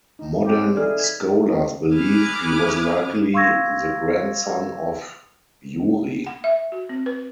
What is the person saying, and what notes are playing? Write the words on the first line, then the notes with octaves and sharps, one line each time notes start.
Modern scholars believe he was likely the grandson of Yuri.
D#4
F#3 C4 G4
E3 D#4 G#4 A4 D5 F6
G#6 B6
G#5 B5 D6 D#6 F6 F#6
F5 C6 C#6 E6 G#6 A#6
F#5
E5
F#4
C4
B4